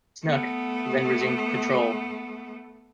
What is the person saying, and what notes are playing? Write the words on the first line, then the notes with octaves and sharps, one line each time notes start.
"Snook" then resumed patrol.
A3 B3